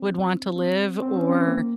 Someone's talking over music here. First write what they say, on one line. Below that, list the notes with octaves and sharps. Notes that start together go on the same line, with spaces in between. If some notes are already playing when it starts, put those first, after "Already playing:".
would want to live or,
Already playing: C4
C4
C4
C#4
C4
A#3